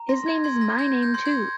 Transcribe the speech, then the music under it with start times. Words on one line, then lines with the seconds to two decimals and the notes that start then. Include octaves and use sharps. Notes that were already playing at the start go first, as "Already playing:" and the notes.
His name is my name, too!
Already playing: A#5
0.09 C6 A#6
0.26 G#6
0.44 C6 G#6
0.61 A#6
0.78 G6 G#6
1.03 G6
1.14 C6
1.25 G#6